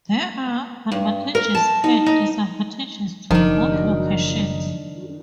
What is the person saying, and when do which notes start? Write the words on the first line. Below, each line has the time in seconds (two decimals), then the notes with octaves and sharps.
There are advantages and disadvantages to both locations.
0.92 G2
1.35 A#4
1.55 A5
1.84 D#4
2.06 D#4
3.31 F#1 D#3 F3 D4 D#4